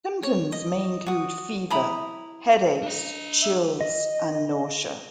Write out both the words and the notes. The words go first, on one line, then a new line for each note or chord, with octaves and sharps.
Symptoms may include fever, headaches, chills, and nausea.
C#5
D#5
F#4 D#6
E4 A#5 B5 D#6
D4 D#5
E5
D#5